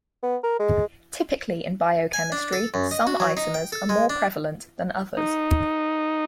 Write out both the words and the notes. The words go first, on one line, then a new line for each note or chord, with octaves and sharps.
Typically in biochemistry, some isomers are more prevalent than others.
B3
A#4
G#3
G#5
D4
A4
F#2
D#5
F#4
F#3
D#4
G5
A4
G#3
D4
D#4